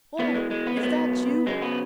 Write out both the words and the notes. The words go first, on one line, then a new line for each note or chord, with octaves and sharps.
'Oh! is that you?
E2 E3 B3
G#3
G#3
B3
G#3
G#2 F#3 B3
F#2 C#3 F#3 G#3
B3